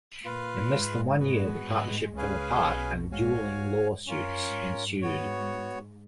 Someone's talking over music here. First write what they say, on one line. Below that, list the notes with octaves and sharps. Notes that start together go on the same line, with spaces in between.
In less than one year the partnership fell apart and dueling lawsuits ensued.
A#2 A#3 F4 B4 F5
G#2 G#3
G#2 G#3 B3 F#4 B4
G#2 G#3
C#2 C#3 C#4 G#4 B4 F5 G#5
B1 B2
G#2 F#4 C#5 F5 G#5
F#2 C#4 F4 A#4 C#5
G#2
B3 F#4 C#5